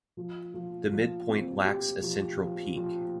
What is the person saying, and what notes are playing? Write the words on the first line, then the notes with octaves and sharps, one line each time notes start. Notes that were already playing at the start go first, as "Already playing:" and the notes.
The midpoint lacks a central peak.
F3
F3
F3
C4
G4
F3
F3
F3